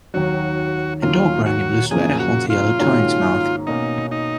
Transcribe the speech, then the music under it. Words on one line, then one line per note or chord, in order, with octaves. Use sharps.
A dog wearing a blue sweater holds a yellow toy in its mouth.
D#2 D#3 F#3 F#4
D#2 D#3 F#3 A#3 F4
F#4
F#2 C#3 F3 A#3 G#4
F#4
F4
G#2 D#3 A#3 C#4 F#4
B2 A#3 C#4 D#4
D#4